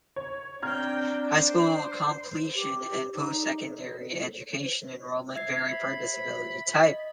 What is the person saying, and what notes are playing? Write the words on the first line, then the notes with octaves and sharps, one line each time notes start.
High school completion and postsecondary education enrollment vary per disability type.
C#5
C4 D4 G5 A#5 F6 G#6
C5
G4
D#4
E5 G#6 C7
B5
D#5